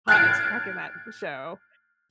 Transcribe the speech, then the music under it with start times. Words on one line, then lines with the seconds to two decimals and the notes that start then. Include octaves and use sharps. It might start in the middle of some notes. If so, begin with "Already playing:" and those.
hot as heck in that show,
0.08 F6 F#6 G#6 A6 C7 D7